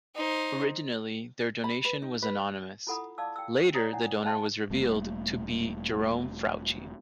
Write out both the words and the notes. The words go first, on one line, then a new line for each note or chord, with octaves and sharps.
Originally, their donation was anonymous; later, the donor was revealed to be Jerome Frautschi.
D#4 C5
B5
B4
D#4
B4
E4 F4 A4 F#5 B5 D#6
D5 F5 A5 D6 E6
G5 E6
C#5 D5 A#5 D#6
D4 E4 F#5
C5 D#5 F5 G5 A5 C6
E1 G3 A3 A#3